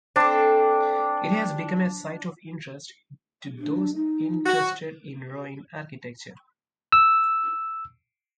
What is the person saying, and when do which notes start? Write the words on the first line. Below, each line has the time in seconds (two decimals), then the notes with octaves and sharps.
It has become a site of interest to those interested in ruined architecture.
0.16 C4 D4 A4
3.58 D4
3.94 D#4
4.46 F#4
6.92 E6